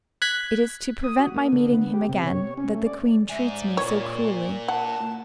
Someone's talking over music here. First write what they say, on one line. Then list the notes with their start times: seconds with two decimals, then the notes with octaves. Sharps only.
It is to prevent my meeting him again, that the queen treats me so cruelly.
0.22 F#6 G#6 B6
1.04 D#6
1.19 F#4
1.36 A#3
1.52 D3
1.73 B3
1.94 G4
2.09 C3
2.26 C#5
2.57 C#4
2.74 A3
2.86 D5
3.30 G#2 E5 G#5
3.47 D5
3.77 A#2 A#3 C#5
4.68 F#5 A5